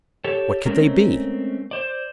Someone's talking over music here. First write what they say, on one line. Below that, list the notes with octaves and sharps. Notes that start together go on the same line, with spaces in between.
What could they be?
G4 A4 C#5
G#3 A3 C4 C#4 A#4
C5 D5